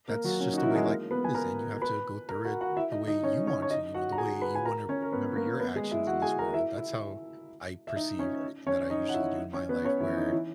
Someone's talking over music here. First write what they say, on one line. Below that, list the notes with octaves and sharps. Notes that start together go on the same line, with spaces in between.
that's just the way life is, and you have to go through it the way you want to, you know, the way you wanna remember your actions in this world. That's how I perceive everything that I usually do in my life, where
A#3 A#4
F#3 F#4
C#4
D#4
F#4
E3 E4
A#4
G#3 G#4
A#3 A#4
B3 B4
G#5
A#4 A#5
B4 B5
A#4 A#5
F#4 F#5
F#4 F#5
E4 E5
D#4 D#5
D#4 D#5
C#4 C#5
C#4 C#5
C#5
D#4 D#5
F#4 F#5
A#5
G#4 G#5
B4 B5
G#5
A#4 A#5
C#4 C#5
A#4
B3 B4
A#3 A#4
B3 B4
G#3 G#4
E4 E5
F#4 F#5
G#4 G#5
A#4 A#5
E4 E5
E4 E5
E5
D#4 D#5
C#4 C#5
C#4 C#5
D#4 D#5
F#5
E4 E5
C#4 C#5
B3 B4
C#4 C#5
E3 E4
D#4
E3 E4